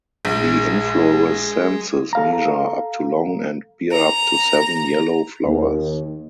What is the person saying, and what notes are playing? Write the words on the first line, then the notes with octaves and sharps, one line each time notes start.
The inflorescences measure up to long and bear up to seven yellow flowers.
A#1 G#3
A4 F5 A#5
A#5
D#2